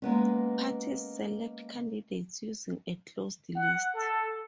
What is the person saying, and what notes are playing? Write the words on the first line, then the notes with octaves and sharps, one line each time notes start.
Parties select candidates using a closed list.
G#3 A#3 B3 C#4
F#5
A4